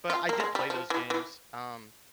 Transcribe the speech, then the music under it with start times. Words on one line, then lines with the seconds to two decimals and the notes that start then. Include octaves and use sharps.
but I did play those games, um,
0.10 F4
0.29 A#3
0.40 G#3
0.55 G3
0.70 F3
0.90 E3
1.10 E3